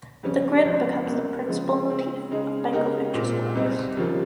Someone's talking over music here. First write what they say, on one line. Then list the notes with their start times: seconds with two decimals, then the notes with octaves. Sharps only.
The grid becomes the principal motif of Benkovich’s works.
0.23 F2 C#3 G3 C#4
0.65 C#2 C#3 F3 G#3
1.06 C#2 C3 G3 A#3
1.48 C#3 F3 G#3
1.89 C#3 G#3 C4
2.31 C#3 G#3 D#4 G#4
2.73 C#3 G#3 D#4 G4 A#4
3.14 A#2 G#3 C4 F4
3.55 C2 C3 G3 C4 D#4
3.97 D#2 C#3 F3 A#3 F4